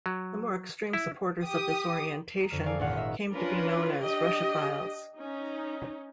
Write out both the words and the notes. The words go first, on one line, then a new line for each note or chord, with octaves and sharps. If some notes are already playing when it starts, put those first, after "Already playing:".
The more extreme supporters of this orientation came to be known as "Russophiles".
F#3
E4
G4 D#6
A#5 D#6
F2 D3 F6 C#7
A4 A#4 D5 F5 G#5
G#1 A#2 C#4 A#4 F5 F#5
D#5 E5 A#5 D#6
C#4 D4 F4 A#4 B4
D4 G4 D#5
C#4 D#4